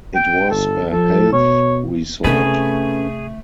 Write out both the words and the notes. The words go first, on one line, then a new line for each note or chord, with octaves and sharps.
It was a health resort.
G5
G1 A4
F3 A4
B2 C#5
C3 A3 C#4 G#4 A4 B4